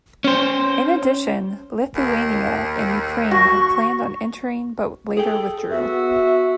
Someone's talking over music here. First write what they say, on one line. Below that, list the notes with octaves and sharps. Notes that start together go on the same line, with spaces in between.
In addition, Lithuania and Ukraine had planned on entering but later withdrew.
C#4 C5
D#2
F#4 C#6
G#4 A4 G5
B3 F#4 E5